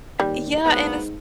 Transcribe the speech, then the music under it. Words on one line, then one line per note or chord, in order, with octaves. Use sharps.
Yeah, and it's
D#2 G3
G#2 F#3 A#3 B3